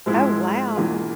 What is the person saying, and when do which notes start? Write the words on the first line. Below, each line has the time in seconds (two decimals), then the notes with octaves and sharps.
Oh, wow.
0.06 G#2 F3 G#3 C4 E4
0.75 E1 E2 E3 A#3 F4